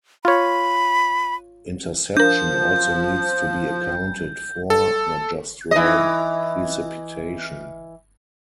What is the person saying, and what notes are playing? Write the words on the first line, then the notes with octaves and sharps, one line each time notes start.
Interception also needs to be accounted for, not just raw precipitation.
F4 C#5 B5
F3 D4 A#4 G6
A4
E3 D#5